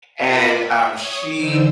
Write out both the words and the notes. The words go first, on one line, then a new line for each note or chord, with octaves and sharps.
and, um, she
F4 A#4 B4 B5 C6 D6
E5
C#5 D#6
D3 E3 D4 D#4 C5 E6